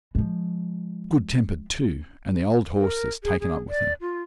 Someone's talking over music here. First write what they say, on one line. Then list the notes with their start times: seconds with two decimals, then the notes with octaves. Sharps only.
Good-tempered too, and the old horse has taken up with her.
0.15 F3 G#3
2.78 A#4
3.24 G#4
3.40 G#4
3.69 D5
4.01 F4